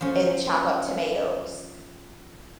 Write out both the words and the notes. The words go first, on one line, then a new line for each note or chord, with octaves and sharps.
and chop up tomatoes,
F3 C#4